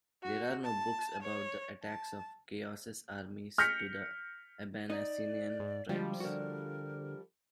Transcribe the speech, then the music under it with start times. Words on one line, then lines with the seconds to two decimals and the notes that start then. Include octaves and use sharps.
There are no books about the attacks of Chaos's armies to the Abanasinian tribes.
0.23 F#4
0.64 A5
1.22 C#5
1.84 A5
3.58 F6 G6 A#6 B6 C#7
4.90 D#4 D5 D#5
5.59 G#2
5.89 D2 F3 G3 G#3
6.20 D3 F#4 A#4